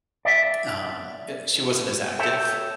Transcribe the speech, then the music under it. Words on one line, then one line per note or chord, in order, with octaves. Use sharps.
um, e She wasn't as active,
D5 E5
A4 C#5 E5 G5